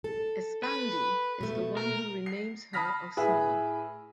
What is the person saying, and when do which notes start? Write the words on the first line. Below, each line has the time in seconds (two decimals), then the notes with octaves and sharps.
Espandi is the one who renames her Osama.
0.04 A4
0.63 B4
1.41 B2 A3
1.77 A#4
2.26 C7
2.73 A5 B5 D#6 F6 A#6 B6
3.17 A2 G#4 B4 E5